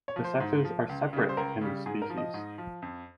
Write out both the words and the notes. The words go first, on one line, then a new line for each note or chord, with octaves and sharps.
The sexes are separate in this species.
C#5
F3
C5
G#2
F3
C#2
C#3 G3
C5
C#2 A#4
C#3 G3
G#2 G#4
A#4
F3
D#5
G#2
F3
F2